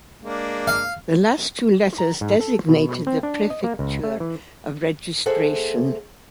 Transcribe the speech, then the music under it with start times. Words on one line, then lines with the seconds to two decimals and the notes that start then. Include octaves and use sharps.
The last two letters designated the prefecture of registration.
0.22 G#3 A#3 D4
0.67 F5
1.98 A#5
2.21 G#2
2.41 A4
2.69 B2
3.07 C4
3.23 D4
3.50 D#5
3.64 A#3
3.79 C#2
4.03 A3
4.20 E3
5.26 A#3 G#4 A4 C5 E5 F#5